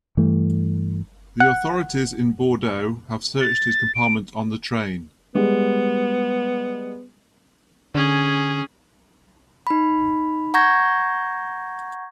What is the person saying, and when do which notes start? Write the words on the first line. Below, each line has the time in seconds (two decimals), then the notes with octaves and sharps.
The authorities in Bordeaux have searched his compartment on the train.
0.17 G2 E3 A3
1.40 F#5
3.41 A6
3.95 D7
5.35 G3 G#3 B3
7.95 D3 C#4 G#4
9.67 D#4 B5
10.54 F#5 A#5 C#6 G6 G#6 A#6